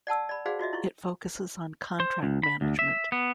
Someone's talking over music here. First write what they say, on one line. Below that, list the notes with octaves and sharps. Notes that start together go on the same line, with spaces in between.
It focuses on contract management.
D5 F#5 A5 E6
D5 B5
F#4 G#4 C5 D5 F5 F#5
F4 F#4 D#5 E5
E4 F4 C#6
C5
C#2
B5
D2
E5
B3